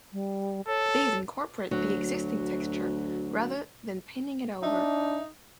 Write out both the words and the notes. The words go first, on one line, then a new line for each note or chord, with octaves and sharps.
These incorporate the existing texture, rather than painting it over.
G3
A4 C#5
D2 F#3
D4 D#4 E5